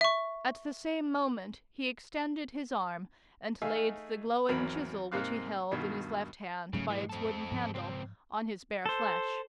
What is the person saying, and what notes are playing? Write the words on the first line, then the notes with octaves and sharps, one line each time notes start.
At the same moment he extended his arm, and laid the glowing chisel which he held in his left hand by its wooden handle on his bare flesh.
E5 C#6
A3 D#4 G#4 E5 F5 G#5
G#1 E2 F#3 C4 A#4 B5
G#2 C3 A#3 C4 F5 F#6
G2 B2 D#3
G#2 C#3 F#3 A3
E3 G#3
C4 A4
G#2 F3
C#2 C4
A4 C5